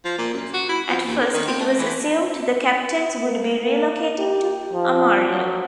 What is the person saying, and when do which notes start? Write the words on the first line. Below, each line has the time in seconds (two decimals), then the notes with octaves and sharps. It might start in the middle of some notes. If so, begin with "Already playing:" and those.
At first it was assumed the Captains would be relocating to Amarillo.
0.05 F3
0.18 A#2
0.33 F#2
0.54 F#4
0.69 E4
0.88 F3
1.06 D#2
1.20 D3
1.34 D#3
1.47 C4
1.60 A3
1.78 E3
3.24 A#3
3.65 A#3
4.19 G4
4.73 F3
5.28 F#3